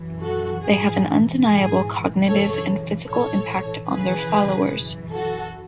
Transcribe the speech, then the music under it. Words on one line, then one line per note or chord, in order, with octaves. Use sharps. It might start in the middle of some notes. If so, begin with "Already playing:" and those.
They have an undeniable cognitive and physical impact on their followers.
Already playing: F#2 E3
F#4 A4
G#2 E3 G#4
G#2 E3 G#4
F#2 C#3 E3 A4 C#5
A2 E3 A4 C#5
F#2 C#3 E3 G#4 B4
F#2 E3
F#4 A4